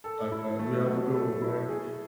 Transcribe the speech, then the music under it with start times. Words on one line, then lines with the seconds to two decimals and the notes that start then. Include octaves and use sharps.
Likewise, you have a good one, ma'am.
0.04 A4
0.32 E4
0.59 A3
0.86 F#3
1.14 A4
1.42 E4
1.68 G#4